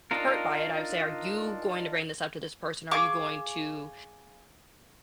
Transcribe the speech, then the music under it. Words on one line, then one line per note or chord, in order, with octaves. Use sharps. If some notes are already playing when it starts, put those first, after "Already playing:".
hurt by it. I would say, "Are you going to bring this up to this person? Are you going to
D4 D#4 F4 A#4
G#4 F5 C#6 D6